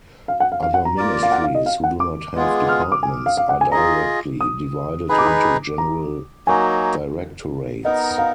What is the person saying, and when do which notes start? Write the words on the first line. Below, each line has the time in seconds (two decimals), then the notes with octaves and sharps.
Other ministries, who do not have departments, are directly divided into general directorates.
0.28 F5
0.40 F#5
0.52 F5
0.63 F5
0.74 F#5
0.85 A#5
0.97 A#3 F4 A#4 D5
1.23 F5
1.32 F#5
1.44 F5
1.55 D#5
1.66 F5
1.84 F#5
2.00 D6
2.35 G#3 B3 F4 G#4
2.69 F6
2.81 D#6
2.92 D6
3.03 G#5
3.26 F5
3.37 F5
3.49 F#5
3.61 G#5
3.72 F4 G#4 D#5 A#5
4.41 D#6
5.09 D#4 G#4 B4 B5
5.19 D6
5.27 B5
5.78 A#5
6.47 F#3 A#3 D#4 F#4 G#5
7.84 B3 D#4 A#4 D#5
8.18 F5